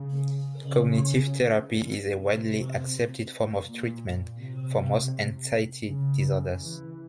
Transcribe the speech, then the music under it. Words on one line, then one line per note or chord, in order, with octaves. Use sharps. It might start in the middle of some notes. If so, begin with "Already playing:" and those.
Cognitive therapy is a widely accepted form of treatment for most anxiety disorders.
Already playing: C#3
C#3
C3
A#2
C3
C#3
E3